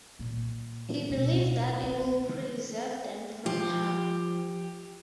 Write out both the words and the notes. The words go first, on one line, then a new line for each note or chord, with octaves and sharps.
He believed that it would preserve them from harm.
A#2
D1 B2
C4
F3 G4